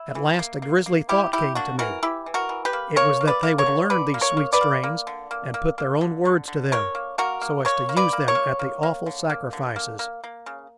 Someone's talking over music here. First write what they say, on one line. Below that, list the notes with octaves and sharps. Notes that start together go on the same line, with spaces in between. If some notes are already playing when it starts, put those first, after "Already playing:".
At last a grisly thought came to me: it was that they would learn these sweet strains, and put their own words to them so as to use them at the awful sacrifices.
Already playing: E4
E3
A#3
A#3
A#3
G3 E4 G4
G3 E4 G4
A#3 D4 F#4
E3 F#4 A#4
E3 E4 G4
E3
F#4 A#4
E3
G4 B4
A#3
A#3 A#4 C#5
A#3
B4 D5
A#3
A#4 C#5
D3
D3 B4 D5
A#3
A#4 C#5
A#3
B4 D5
A#3
A#3
D3
A#3
A#3
A#3
D3
D3
D3
D3 A#4 C#5
A#3
A#3 F#4 A#4
A#3
A#3 A#4 C#5
A#3
B4 D5
A#3
A#4 C#5
A#3
A#3
A#3
D3
A#3
D3
A#3
A#3
A#3
C#3